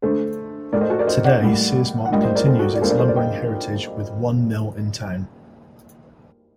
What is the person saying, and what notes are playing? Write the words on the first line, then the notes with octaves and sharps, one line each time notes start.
Today, Searsmont continues its lumbering heritage with one mill in town.
D3 A3 A4 C5
A2 A3 A#4 D5
C5 D#5
F#4 A4
A#4 D5
C5 D#5
D5 F#5
A2 G3 A#3
F#5
A2 G3 A#3 D#5 G5
C5 D#5
A#4 D5
A4 C5
F#4 A4
D5
D3 G3 A#3 A4 C5
A#4 D5
A4 C5
A#4 D5
D#5 G5